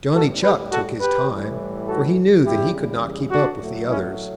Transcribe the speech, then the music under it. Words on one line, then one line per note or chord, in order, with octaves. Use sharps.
Johnny Chuck took his time, for he knew that he could not keep up with the others.
A2 G3 F#4 A4
G4 B4
F#4 A4
G4 B4
A2 E3 G3
F#4 A4
E2 C#3 E3 G3 E4 G4
D4 F#4
A2 F#3 A3
C#4 E4